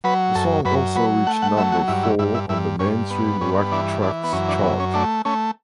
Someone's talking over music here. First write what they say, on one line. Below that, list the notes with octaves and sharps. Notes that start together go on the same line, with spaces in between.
The song also reached number four on the Mainstream Rock Tracks chart.
F#3 B4
F#2 A4
F#2 B4
F#3 B4
A3 F#5
F#5
F#3 E5
F#4
G2 E4
E4
G2 E4
E4
G2 E4
G2 C#4
B3
G2 C#4
E3 D4
E3 D4
B3
F#2 C#4
D4
B3
C#4
A3 D4
A3 C#4